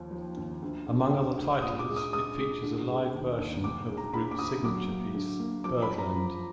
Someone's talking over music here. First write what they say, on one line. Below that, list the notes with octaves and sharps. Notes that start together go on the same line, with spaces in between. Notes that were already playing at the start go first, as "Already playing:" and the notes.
Among other titles, it features a live version of the group's signature piece "Birdland".
Already playing: D#2 F3
F3
D#2
D2
D2
D2
D2
A#2 D#6
D6
G#3
D#6
G#3 D#6
G#3
D3
G#3
D#2
D#2
D2 D6
G#3
A#5
D2 B5
D6
D2 D#6
F#3 D6
A#3
D3
A#3
F3 D6
B5
F3
A#5
F3